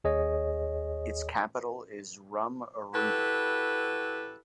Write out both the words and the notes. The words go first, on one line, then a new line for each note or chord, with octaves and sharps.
Its capital is Rumuruti.
D#2 G#4 C#5 D#5
E4 F#4 G4 A4 B4